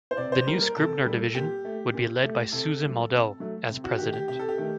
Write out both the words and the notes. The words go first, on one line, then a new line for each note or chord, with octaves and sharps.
The new Scribner division would be led by Susan Moldow as president.
C5
C3 D5
C5
G3 A#3 A#4
A#4
C3 A4
G3 A#3
A#2 G4
A3
A#2
A3
C3 A4
A3
F#3
C3
F#3 A3
C3
F#4
D#3 A3 G4
G4
C3 G4
A4
G4
D#3 A3